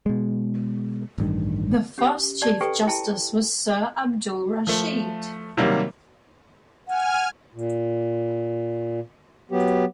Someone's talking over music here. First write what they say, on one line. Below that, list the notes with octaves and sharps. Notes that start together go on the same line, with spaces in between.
The first Chief Justice was Sir Abdul Rashid.
B2 G#3
A1 G2 D#3
C#4 G4
G4 D5 A5
G4 A4 B4 G5 C#6
E4 G5 A5
F3 A3
C3 D#3 F#3 G3 A#3
F#5 G#5 F6
A#2
F#3 B3 G4